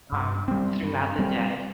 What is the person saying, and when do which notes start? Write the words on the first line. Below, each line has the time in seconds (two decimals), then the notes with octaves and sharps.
um, throughout the day.
0.12 G2
0.48 G3 C4
0.83 G2
1.19 G3 C4